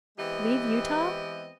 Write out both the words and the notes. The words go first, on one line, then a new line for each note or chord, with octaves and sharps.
"Leave Utah!"
E3 G#3 B3 C4 G4 D#5